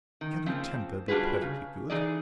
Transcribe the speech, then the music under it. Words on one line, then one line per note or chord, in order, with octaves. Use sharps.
Can her temper be perfectly good?
D#3
C#3 F3 A#3 C4
G3 D4 F4 F#4 G#4 B4
C#3
E3 D#4 G#4 D5